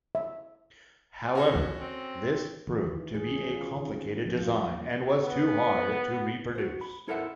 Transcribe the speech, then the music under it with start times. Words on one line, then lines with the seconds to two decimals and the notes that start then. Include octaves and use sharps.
However, this proved to be a complicated design and was too hard to reproduce.
0.15 E5
1.35 C#4 F#4 A4
1.80 C4
2.68 E3
2.87 D#3
3.14 G#4
3.30 C#4
3.51 F4
3.77 D#3
3.91 C4
4.26 F3
4.39 F4
4.71 A#3
5.23 B3
6.55 F#4 C5
6.81 B5
7.08 E4 A4 A#4 C5 E5 F#5